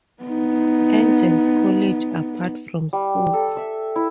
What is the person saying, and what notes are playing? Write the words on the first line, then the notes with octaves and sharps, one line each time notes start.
Agnel's college, apart from schools.
B3 D#4
G3
A4
E5
E4